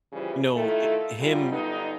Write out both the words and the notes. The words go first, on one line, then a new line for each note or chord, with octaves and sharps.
No, it Him
C#3 E3 F3 G3
D#3 A3 E4 F4 A4
F#2 G3 F4
G2 D3 B3 D#4